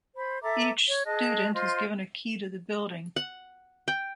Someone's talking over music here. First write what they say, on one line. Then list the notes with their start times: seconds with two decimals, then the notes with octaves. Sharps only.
Each student is given a key to the building.
0.16 C5 B5
0.42 A4 E5 A#5 D6
0.86 C#5
1.06 G#4 D#5 A5 F#6
1.53 F4 C5 D#5 C6
3.16 F#5
3.88 G5